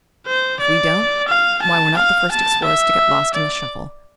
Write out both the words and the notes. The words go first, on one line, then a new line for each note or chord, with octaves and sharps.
If we don't, why, we're not the first explorers to get lost in the shuffle.
C5
D5
F5
A5
F5
A5
E5
D5